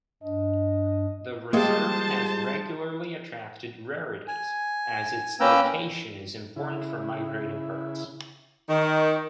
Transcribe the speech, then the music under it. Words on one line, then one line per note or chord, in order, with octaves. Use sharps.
The reserve has regularly attracted rarities, as its location is important for migrating birds.
G2 D4 D#5
G3 G#3 A#3 F4 C5 A5
G#5
A#3 C#4 B4 G5 A#5 E6
C#3 E4
D#3 D#4 C#6